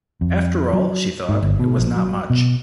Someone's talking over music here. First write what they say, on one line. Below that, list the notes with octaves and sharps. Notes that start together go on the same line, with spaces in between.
After all, she thought, it was not much.
F2
F#3
G#2
G1
B2
A#1
F#3
B2